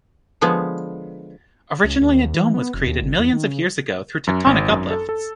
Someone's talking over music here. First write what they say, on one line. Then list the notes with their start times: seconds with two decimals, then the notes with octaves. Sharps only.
Originally a dome was created millions of years ago through tectonic uplifts.
0.41 D3 F3 G#3 B3
1.84 C#2
2.01 D#2
2.34 E3
2.54 B3
2.74 F1
2.86 D#2
3.03 G1
3.19 E2
3.33 D#3
3.46 C#3
4.27 F#2
4.46 G#1
4.69 F#2
4.91 A4
5.09 A4